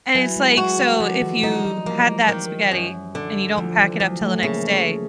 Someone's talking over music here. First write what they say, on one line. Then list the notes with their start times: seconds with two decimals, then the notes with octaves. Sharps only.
And it's like, so if you had that spaghetti and you don't pack it up till the next day,
0.15 E3 F#3
0.36 G#3
0.57 G#3 F#4
0.79 G3
1.00 D3 F3
1.22 E3
1.43 G3 D#4
1.65 F#3
1.86 F3 A#3
2.29 D#3
2.71 F#2
3.15 D3
3.57 D2 F3
3.79 E3
4.00 D2 F#3
4.21 A3
4.43 C#3 A#3